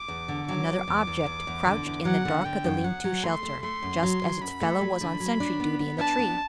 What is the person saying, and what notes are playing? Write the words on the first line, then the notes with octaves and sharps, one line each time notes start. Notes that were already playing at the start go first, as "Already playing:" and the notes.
Another object crouched in the dark of the lean-to shelter, just as its fellow was on sentry duty in the tree!
Already playing: D6
E2
D3
F#3 D6
E2
E2
E2
E2
E2
D3
E2
F#3 F#5
D3
D3 G5
F#2
F#3 F#5
F#3
A3 C6
A3
A3 C6
F#2
F#3
F#3
F#2 B5
A3
F#3
D3
F#3
D4
B3
B3
D4 A5
B3